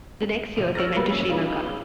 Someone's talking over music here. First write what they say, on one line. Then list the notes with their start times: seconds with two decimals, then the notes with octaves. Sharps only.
The next year they went to Sri Lanka.
0.56 A1 C3 D#7
0.75 C#5 E6 F6 A6 A#6
0.96 F#3 G3 A#3 B3
1.11 C#4
1.29 G3 B3 C#4 D#4 F4 G#4